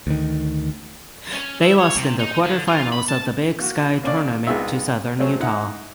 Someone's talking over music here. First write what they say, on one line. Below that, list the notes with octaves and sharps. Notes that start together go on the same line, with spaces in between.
They lost in the quarterfinals of the Big Sky Tournament to Southern Utah.
D2 D#3
C#4
E5
C#5
C3
D#4
D3
F4
B5
A5
A#3 F#4
A#3 C#4 D4 D5
C2 G#3 B3 D#4 F4 E5
F#3 G#3 A3 C4 C#4
D#4 E4 F#5